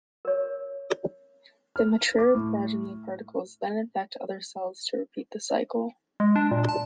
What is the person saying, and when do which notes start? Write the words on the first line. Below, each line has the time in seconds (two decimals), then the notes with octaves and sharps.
The mature progeny particles then infect other cells to repeat the cycle.
0.25 A#4 C#5
1.76 F6
2.18 D6
2.35 A2
6.20 G#3
6.36 D4
6.51 A#2
6.69 A5